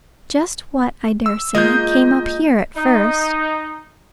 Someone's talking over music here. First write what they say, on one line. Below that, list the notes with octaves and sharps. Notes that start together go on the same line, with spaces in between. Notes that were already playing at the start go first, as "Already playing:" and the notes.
Just what, I dare say, came up here at first.
E6
G#3 A#3 F4 D#5 G6
D#4